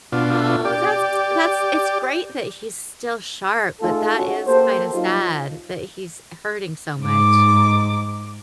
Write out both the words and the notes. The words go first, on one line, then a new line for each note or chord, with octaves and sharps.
Oh, that's that's It's great that he's still sharp, but that is kinda sad that he's hurting so much.
B2 D4 F4
G4 D5
A3 D#4 F4 G#4 A4
C#4 F#4
A#3 G4 A4 C5
F#3 D#4 F4
G#2 D6